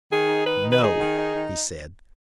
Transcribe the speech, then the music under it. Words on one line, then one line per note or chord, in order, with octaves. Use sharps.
"No!" he said.
D#3 G#4
D#4
D#3 B4
D#4
B4
D#4 G#4
D#3
D#4
D#3